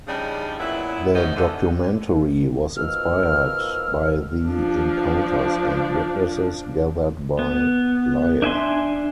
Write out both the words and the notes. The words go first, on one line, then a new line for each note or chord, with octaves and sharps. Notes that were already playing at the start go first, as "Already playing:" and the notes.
The documentary was inspired by the encounters and witnesses gathered by Iyer.
C#3 F3 G3 D4 D#4
A#2 F#3 B3 E4
G#2 C3 B3 C#4 D#4
E2 D3
B2 D#3 F3 E6 F6
F3 D4
B3
D4 E5 G#5 C6